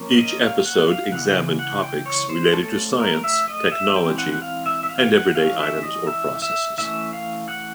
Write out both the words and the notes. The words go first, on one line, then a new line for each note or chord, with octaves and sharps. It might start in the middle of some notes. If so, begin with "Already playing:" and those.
Each episode examined topics related to science, technology, and everyday items or processes.
Already playing: F3 A#3 C#4
D#5
F5
F#5
F5
C#3 E3 G#3 F#5
F#5
G5
C#5
C5
F3 A3 C#4 A4
A#4
E5
D#5
E5
E3 G#3 C4 G5
F#5
F#5
F5
E5
E5
F5
F#5
E3 G#3 C#4 F5
E5
D#5
E5
E5
E3 A3 C#4 E5
F5
F#5